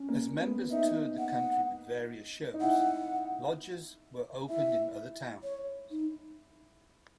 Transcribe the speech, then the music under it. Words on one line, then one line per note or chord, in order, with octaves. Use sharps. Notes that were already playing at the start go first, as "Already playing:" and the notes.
As members toured the country with various shows, lodges were opened in other towns.
Already playing: C#4
A#3
B3
D#4 E5
F#5
D#4
E4 F#5
E4 E5
C#5
D#4